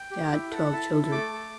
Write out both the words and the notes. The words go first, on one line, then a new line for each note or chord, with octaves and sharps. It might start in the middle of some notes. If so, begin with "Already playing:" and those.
They had twelve children.
Already playing: G5
G4
E4
A4 F#5
E4 A5
A4
A3 D6
A4